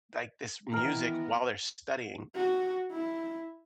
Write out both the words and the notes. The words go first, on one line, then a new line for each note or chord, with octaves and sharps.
like, this music while they're studying.
D#3 E3 B3 A#4
F#4
E4